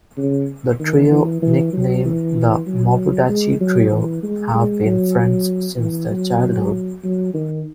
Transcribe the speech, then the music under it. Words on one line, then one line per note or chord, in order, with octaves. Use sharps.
The trio, nicknamed the Mabudachi Trio, have been friends since their childhood.
C#3
D#3
E3
E3
F#3
E3
F#3
G#3
F#3
E3
G#3
G#3
F#3
E3
F#3
F#3
D#3